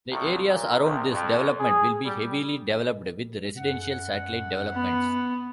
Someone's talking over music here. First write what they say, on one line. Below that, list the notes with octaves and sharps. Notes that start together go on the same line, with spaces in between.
The areas around this development will be heavily developed with residential satellite developments.
C2
A#2
C2
F2
G#4
G3
F#2 F#5
B3